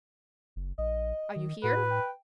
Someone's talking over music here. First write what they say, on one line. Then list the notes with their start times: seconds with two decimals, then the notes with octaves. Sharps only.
"Are you here?"
0.56 F#1
0.78 A#1 D#5
1.36 D#3
1.63 A2 F#4 B4
1.90 G5